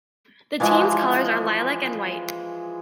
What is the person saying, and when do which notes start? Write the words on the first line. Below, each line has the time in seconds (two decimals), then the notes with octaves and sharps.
The team's colours are lilac and white.
0.60 E3 F3 G#3